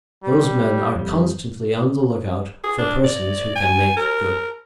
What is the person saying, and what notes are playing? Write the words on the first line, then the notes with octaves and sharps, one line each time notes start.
Those men are constantly on the lookout for persons who can make good.
G3
F2 G3
G#4
D4
D5
G#5
A#4